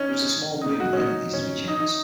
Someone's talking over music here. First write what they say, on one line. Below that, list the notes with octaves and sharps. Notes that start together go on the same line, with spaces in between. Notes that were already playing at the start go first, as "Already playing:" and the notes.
There is a small room at the end of these three chambers.
Already playing: C#4 D#4
D#4
F#4
C#4
D#4
C#4
D#4
D#4